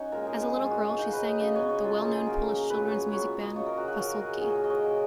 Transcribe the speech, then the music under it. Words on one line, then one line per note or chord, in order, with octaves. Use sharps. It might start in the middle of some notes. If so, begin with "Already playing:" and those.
As a little girl she sang in the well-known Polish children's music band Fasolki.
Already playing: C#4 D#4 F#4 C#5
A#2 G#3 A#4
G#4
G#4
A#2 G#3 G#4
F#4
F#4
C#3 F#3 D#4
B4
D#5
C#3 F#3 D#5
C#5
C#5
A#2 F#3 F4
G#4
A#2 F#3 A#4
A#2 F#3 B4
C#5
A#2 F#3 C#5
D#5
C#3 F#3 C#5
A#4
F#4
F#4
C#3 F#3 A#4
G#4
A#2 F#3 G#4
A#4
D#5
C#5
A#2 F#3